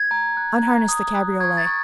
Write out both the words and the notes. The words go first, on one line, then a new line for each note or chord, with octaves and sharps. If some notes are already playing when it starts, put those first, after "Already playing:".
Unharness the cabriolet.
Already playing: G#6
A#5
F#6
A#5
D#6
F#6
C#6 G#6
A6
C#6